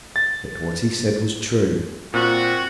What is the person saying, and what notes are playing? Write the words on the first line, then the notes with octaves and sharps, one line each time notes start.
Yet what he said was true.
A6
A#2 C4 F#4